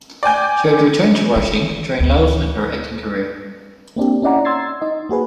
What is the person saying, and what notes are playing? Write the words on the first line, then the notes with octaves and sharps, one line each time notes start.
She would return to writing during lulls in her acting career.
D5 G5 G#5 G6
D#4
A1 D2
A#3 C4 D4 G4
C#4 D#4 E4 D5 F#5 A#5
C6 E6 G#6 A6 C7
D#4 D#5
A#3 F#4 G#4 B4